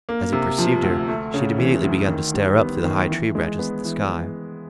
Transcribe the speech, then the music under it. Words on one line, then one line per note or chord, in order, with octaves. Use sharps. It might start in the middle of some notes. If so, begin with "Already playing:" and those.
As he perceived her, she had immediately begun to stare up through the high tree branches at the sky.
A#3
C3
F3
D2
A3
C#3
E3
D2
D#3
G3
B3
D#3
E3
G#3
B3
E3